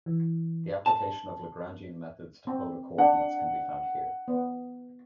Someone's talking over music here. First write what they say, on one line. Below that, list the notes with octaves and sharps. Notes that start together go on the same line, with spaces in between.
The application of Lagrangian methods to polar coordinates can be found here.
E3
A5
C4
D4 F#5
B3